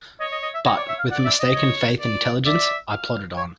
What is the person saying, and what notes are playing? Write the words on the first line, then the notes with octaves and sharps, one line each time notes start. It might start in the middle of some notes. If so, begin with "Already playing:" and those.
But, with a mistaken faith in intelligence, I plodded on.
C#5 D#5
D#5
D#5
E5
C#5 D#5
D5
E5
F5
D5 F#5
E5
D#5
C#5
D5
D5 E5
F5
C#5